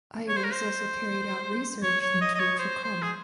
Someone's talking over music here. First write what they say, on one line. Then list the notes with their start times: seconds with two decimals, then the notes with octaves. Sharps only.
Ayres also carried out research into trachoma.
0.28 C#5
0.37 C5
0.44 A#4
0.52 C5
1.83 C#5
2.01 C#5
2.21 D#5
2.35 D#5
2.39 C#5
2.59 C5
2.84 C5
3.02 G#4